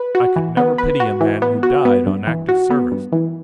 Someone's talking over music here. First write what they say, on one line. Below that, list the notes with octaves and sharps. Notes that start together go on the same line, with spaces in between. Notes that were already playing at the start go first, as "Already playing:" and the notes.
I could never pity a man who died on active service.
Already playing: B4
F#4
E3
B3
B4
F#4
E3
B3
F#4
B3
G2
E3
F#4
B3
G2
E3